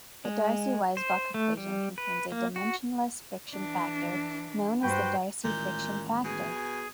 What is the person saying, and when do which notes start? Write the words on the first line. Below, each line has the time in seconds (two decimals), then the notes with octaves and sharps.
The Darcy-Weisbach equation contains a dimensionless friction factor, known as the Darcy friction factor.
0.25 G#3
0.97 C5
1.34 A3
1.57 G3
1.98 B4
2.32 A#3
2.56 F#4
3.50 E3 D4
4.82 G2 F#4 B4 C5 G5
5.44 A1 A#2 D#3 G#3 G6
6.24 B2 G#4 G#5